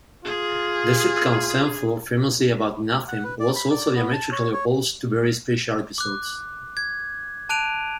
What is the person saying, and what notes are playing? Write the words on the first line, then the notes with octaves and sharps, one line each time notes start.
The sitcom "Seinfeld", famously "about nothing," was also diametrically opposed to very special episodes.
F4 G#4
F#5
B4
D5
B5
D5
B3
A5
C#5
C#5
D6 F#6
G#6
A5 D6 F#6 D7 D#7 F7